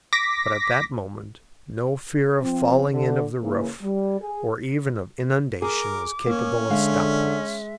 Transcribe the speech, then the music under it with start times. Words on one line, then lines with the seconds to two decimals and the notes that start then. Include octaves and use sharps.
But at that moment no fear of falling in of the roof, or even of inundation was capable of stopping us.
0.13 D6 A#6 B6
2.42 F3 C4
2.92 D3
3.42 C#3 E3 A#3
3.82 G3
4.21 G#4
5.62 G#4 A#4 D6
6.27 A#3 C#4
6.70 D3 G#3 E5 F5